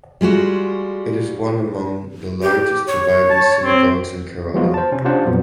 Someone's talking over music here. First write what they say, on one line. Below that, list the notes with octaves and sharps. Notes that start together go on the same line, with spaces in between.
It is one among the largest surviving synagogues in Kerala.
G3 G#3 F4 F#4
G4
C#5
A5
C4
F3 F#3 G#3 B3 F4 F#4
C5 A5
C3 C#4
D4 F4 G4 C5 F#5 A5
F2 A#2 F#3 B3